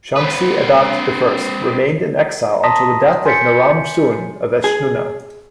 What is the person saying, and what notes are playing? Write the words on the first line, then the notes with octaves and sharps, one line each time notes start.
Shamshi-Adad I remained in exile until the death of Naram-Suen of Eshnunna.
C4 B4
A5 A#5 C6 D#6 A#6 B6
G#5 C6 G6 A6 B6 C#7
G#4